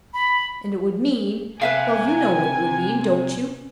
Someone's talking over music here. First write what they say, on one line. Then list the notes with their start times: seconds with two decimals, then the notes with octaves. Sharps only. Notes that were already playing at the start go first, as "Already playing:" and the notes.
And it would mean--well, you know what it would mean, don't you?
0.14 B5
1.61 C3 B4 E5 F5 G#5